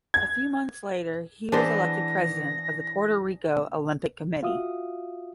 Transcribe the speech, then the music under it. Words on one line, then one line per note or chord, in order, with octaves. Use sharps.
A few months later he was elected president of the Puerto Rico Olympic Committee.
G#6
E3 B3 D4 G#4 C5 A5 A#6
F4 F#4 E5 F5 D#6